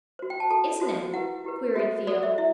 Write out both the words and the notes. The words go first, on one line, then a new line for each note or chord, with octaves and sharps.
"Isn't it?" queried Theo.
F#4 C5
G5
A5
F#4 A4 C5 A5
F#4 A4 C5
E4 G4 B4 F#5
E4 G4 B4
F#4 A4 C5 E5
F#4 A4 C5 D5
E5
E4 E5